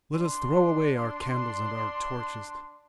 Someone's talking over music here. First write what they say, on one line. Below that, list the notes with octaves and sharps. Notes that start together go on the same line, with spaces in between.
Let us throw away our candles and our torches.
D4 C6